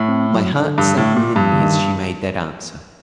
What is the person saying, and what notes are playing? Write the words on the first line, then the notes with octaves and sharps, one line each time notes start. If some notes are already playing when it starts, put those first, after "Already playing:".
My heart sank within me as she made that answer.
Already playing: A2
C4
F#3
D3
G2
A2
A#2
G2
D3
D#3